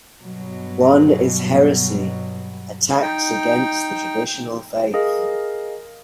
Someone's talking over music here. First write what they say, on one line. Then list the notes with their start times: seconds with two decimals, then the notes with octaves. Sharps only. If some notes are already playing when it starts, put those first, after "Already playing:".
One is heresy, attacks against the traditional Faith.
0.21 G2 B2 F#3
3.02 D#4 G5
4.94 G#4 A#4 D#5 F5